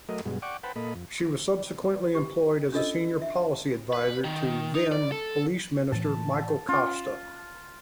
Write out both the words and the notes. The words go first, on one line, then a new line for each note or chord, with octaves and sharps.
She was subsequently employed as a senior policy adviser to then-Police Minister Michael Costa.
F#3 A3 A#4 D#5
G2 B2 F#3 G#3
D5 F#5 G5 C#6 D6
B4 C5 F#5 G5 A5 B5
A#2 A#3 A4 D#5 B5
F2
G4
C#4 D4 F4 A4 D#5 E6
E5
B4
D#3
D#4
D5
A4
A2 E3 A5
C#4 F4